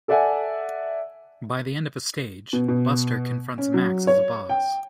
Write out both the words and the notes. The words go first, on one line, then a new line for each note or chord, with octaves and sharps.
By the end of a stage, Buster confronts Max as a boss.
A4 D5 E5 F#5 G#5
B2
B2
C#4
F#3
C#5
G5